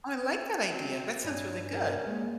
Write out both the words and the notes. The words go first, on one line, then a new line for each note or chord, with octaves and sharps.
Oh, I like that idea. That sounds really good.
C4 F#4
G2 G3 C#5 G#5
C#4 A#4 D5
G#3 A#3